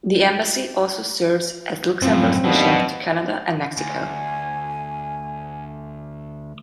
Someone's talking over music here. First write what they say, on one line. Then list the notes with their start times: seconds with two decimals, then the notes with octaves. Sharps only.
The embassy also serves as Luxembourg's mission to Canada and Mexico.
2.02 F#2 A2 F3 C4
2.44 D#2 B2 F#3 D4
3.77 D2 G#5